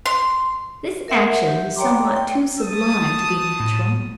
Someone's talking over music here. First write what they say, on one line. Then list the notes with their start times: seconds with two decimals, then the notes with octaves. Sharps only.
"This action is somewhat too sublime to be natural."
0.06 C6
1.08 A#4 E5 F#5
1.48 G4
1.76 C#5 D5 G5 A#5 C6 D6
2.16 G5
2.60 A3 A5 D#6
3.60 A2